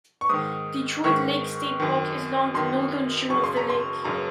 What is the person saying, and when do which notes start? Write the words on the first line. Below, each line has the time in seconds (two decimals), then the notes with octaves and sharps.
Detroit Lake State Park is along the northern shore of the lake.
0.21 C#6
0.29 G#2 D#3 D#6
1.04 G#2 D#3 C#6
1.80 F#2 D#3
2.54 F#2 D#3 C6
3.30 F#2 C#3 C#6
3.44 C6
3.57 A#5
3.70 C6
4.04 F#2 C#3 A#5